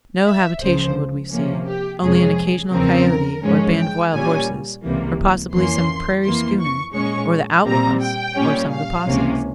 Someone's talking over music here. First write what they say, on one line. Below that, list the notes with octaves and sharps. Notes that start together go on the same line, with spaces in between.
No habitation would we see; only an occasional coyote, or a band of wild horses, or possibly some prairie schooner, or the outlaws, or some of the posses.
E5
C#2 C#3 F3 C5
C3 F3 A#3 C#4
G4
F2 C3 F3 G#3 C#4 G#4
E2 C#3 F3 C4 A#4
G#2 F3 G#3 C#4
G5
A#2 G3 C#4 G#5
C#2 C3 E3 G3 A#3
F2 E3 A#3 C#4 C6
F2 E3 A#3 C6
C#6
A#2 G#3 C#4 C#6
A#2 G3 C4 A#5
G5
A#2 G3 C#4
F5
C#2 C3 E3 A#3 C#4